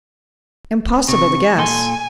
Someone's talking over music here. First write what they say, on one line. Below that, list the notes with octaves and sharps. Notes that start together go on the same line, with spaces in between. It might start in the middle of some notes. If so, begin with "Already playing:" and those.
Impossible to guess.
C3 C#6
A#2 A4 G#5 C6